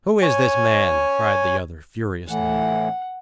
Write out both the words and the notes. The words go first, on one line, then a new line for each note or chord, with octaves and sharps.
"Who is this man?" cried the other furiously.
C#5 G#5
A2 E3 F#5